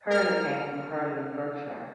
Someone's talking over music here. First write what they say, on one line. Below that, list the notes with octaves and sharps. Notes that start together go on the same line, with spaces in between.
Hurley came from Hurley in Berkshire.
A#4 F6